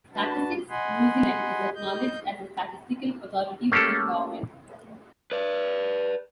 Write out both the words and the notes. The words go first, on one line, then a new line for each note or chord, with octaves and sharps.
Statistics New Zealand is acknowledged as the statistical authority within government.
D4 F#4 B4 A5
D#5 F#5 G#5 B5 C6
D#5 G6
A3 A#3 C#4 G4 A4
B4 D5